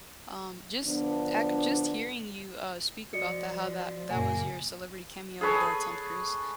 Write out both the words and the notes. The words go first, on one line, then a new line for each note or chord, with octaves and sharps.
Um, just, ac just hearing you, uh, speak about that, how that that was your celebrity cameo, the Tom Cruise,
D3 F3 B3 D4
F3 F#4 D5 D#5 C#7
F#1 A#2 A#3 G#5
G#4 A4 B4 C#5